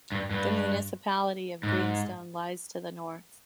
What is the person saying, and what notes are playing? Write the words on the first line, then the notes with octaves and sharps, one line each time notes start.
The municipality of Greenstone lies to the north.
G2
G2
G#2